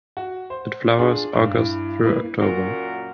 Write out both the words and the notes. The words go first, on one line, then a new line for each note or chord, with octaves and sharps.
It flowers August through October.
F#4
C5
D4 F4 G#4
G2
E4
A#3 E4 B4
F#2 A#2 F#4 A#4